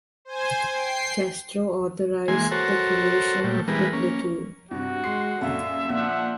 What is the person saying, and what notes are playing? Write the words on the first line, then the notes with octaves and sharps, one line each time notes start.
Castro authorized the creation of the platoon.
C5 G#5
G5 C7
E3 G#3 A#3 G#5 C6
F#4 A4 A#4 C5 C#5
A#2 G3 A3
E3 G3 G#3 B3 A#4
A#3 C#4
G2 C3 F#4
G#3 C6 C7
A#1 F#2 D3 E5 F5
A#2 F3 D4 F#5 B6